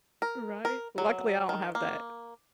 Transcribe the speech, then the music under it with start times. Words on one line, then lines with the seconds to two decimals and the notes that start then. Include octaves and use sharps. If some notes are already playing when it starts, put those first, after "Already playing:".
Right. Luckily, I don't have that.
0.22 A#4
0.65 A#4
0.98 F#3
1.49 D#3
1.75 A#3